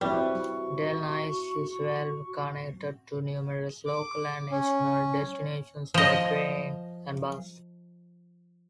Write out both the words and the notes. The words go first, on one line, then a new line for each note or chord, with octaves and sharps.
Delnice is well connected to numerous local and national destinations by train and bus.
G3 C4 E4 F#4 B4 C#6
D6
C#4
F3 D#5